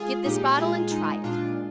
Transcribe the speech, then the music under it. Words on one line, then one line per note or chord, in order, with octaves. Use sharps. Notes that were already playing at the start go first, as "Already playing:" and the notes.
Get this bottle and try it.
Already playing: G#3 F4 G#4
A#2 D#4 G4
G#3 F4 G#4
G#3 D#4
A#2 D4 F4